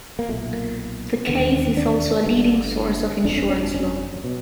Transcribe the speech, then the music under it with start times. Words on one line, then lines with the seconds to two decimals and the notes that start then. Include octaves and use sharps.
The case is also a leading source of insurance law.
0.19 A#3
0.29 B1 A#2 A3
0.53 A#3
1.27 E1 D#2 D3 B3
1.51 C4
1.77 D4
2.26 G1 G2 D3
3.24 G1 F2 D3 D4
3.37 C#4
3.49 C#4
3.62 D4
3.74 C#4
4.24 B2